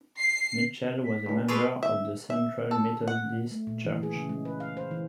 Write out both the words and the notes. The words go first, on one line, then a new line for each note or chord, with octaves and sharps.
Mitchell was a member of the Central Methodist Church.
C7
B6
C#2 G2
G#4 A4 B4 C#5 D5 C6
E5
E5
A4
F#5
A3
A#2
E3
G#4
C#3
G#3
B4
F5
C5
E3